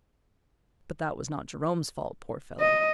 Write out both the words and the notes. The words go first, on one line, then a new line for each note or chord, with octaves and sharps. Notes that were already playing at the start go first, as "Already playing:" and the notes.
But that was not Jerome's fault, poor fellow!
D#5